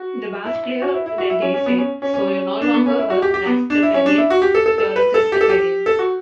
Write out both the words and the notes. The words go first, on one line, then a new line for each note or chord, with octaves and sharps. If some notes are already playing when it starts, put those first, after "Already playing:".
The bass-player that day said; So you're no longer a Rastafarian, you're a Christafarian.
Already playing: F#4
E4
F#4
E4
E4
F#4
E4
C#4
C#4
B3
C#4
C#4
C#4
D4
B3
C#4
E4
F#4
G4
G4
B3
D4
E4
C#4
D4
E4
F#4
G4
A4
A4
A4
B4
A4
G4
A4
G4
A4
F#4